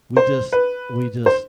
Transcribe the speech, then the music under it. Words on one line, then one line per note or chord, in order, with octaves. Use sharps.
we just we just
C5
B4
C5